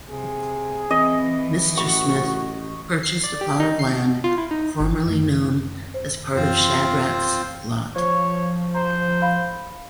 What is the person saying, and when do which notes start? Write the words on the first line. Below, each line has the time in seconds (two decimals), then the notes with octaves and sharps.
Mr. Smith purchased a plot of land formerly known as part of Shadrack's Lot.
0.10 C3 G#4
0.91 E3 C4 D#5
1.77 A1 F#4 C#6
3.03 C7
3.24 D5
3.41 G4
3.60 D#4
3.79 C7
3.93 B2
4.24 F4
4.38 E4
4.51 D#4
4.80 G1
5.05 F#2 D#3 A3
5.94 C5
6.36 F#2 E3 C4 F4 C5
7.96 F3 C5 C#5 C#6
8.75 C5 A#5
9.22 F5 B5